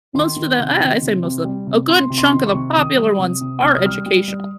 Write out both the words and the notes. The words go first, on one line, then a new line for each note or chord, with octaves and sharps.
most of the I I say most of a good chunk of the popular ones are educational.
D#3 C6
D#3
C3
D#3
C3
C3
G3
C3
C3 C6
C3
C6
D#3
C#6
C3
D#3 D#6
G3
C3
C3
C3 F6
D#6
G3 F6
G3
G3